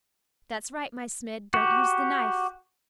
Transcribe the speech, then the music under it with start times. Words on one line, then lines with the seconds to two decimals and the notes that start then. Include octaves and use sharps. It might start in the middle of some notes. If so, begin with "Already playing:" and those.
That's right, my Smid, don't use the knife!
1.54 F#4 G4